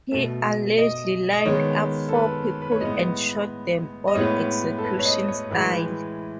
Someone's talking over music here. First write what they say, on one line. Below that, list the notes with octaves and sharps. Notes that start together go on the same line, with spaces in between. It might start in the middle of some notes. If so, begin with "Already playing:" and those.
He allegedly lined up four people and shot them all execution style.
B2 A3
D#5
D#5
D#3 G#3 B3 C#5
A4
B4
B4
C#5
A2 G#3 B3 D#5
D#5
A2 G#3 B3 C#5
A4
B4
C#5
D#5
C#5
A2 E3 G#3 B4